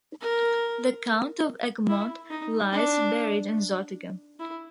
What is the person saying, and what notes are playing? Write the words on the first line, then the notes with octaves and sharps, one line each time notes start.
The Count of Egmont lies buried in Zottegem.
A#4
E4
D#4
D4
E4